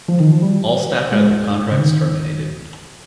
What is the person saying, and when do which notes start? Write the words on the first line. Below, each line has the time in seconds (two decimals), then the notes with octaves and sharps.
All staff had their contracts terminated.
0.08 F3
0.20 D#3
0.32 F3
0.42 G3
1.12 G#3
1.72 C#3
1.80 D#3